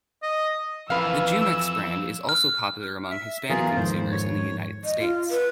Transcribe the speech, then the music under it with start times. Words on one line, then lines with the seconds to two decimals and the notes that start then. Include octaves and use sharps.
The Jumex brand is also popular among Hispanic consumers in the United States.
0.23 D#5
0.90 F2 E3 B4 F5 E6
2.29 F6
3.11 E5
3.49 E3 F#3 B3 F4 G#4 A#4
3.76 F2 G#2 D#3 C5
4.11 C#5
4.84 D#5
4.99 F4
5.31 B4